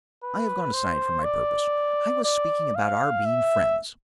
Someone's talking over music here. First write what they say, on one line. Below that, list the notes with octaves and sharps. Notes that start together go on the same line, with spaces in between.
I have gone aside from my purpose; I was speaking about our being friends.
B4
C5
D5
D5
F5
E5